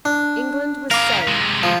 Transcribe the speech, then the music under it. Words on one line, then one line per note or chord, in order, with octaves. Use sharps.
England was saved.
D4
C#3 A#4 F5 D6
C3 G#3
F3